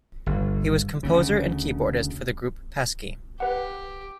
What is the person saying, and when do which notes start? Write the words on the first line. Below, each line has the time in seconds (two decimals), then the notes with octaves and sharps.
He was composer and keyboardist for the group Pesky.
0.26 G1
1.03 D2 C#3
3.40 G4 B4 F#5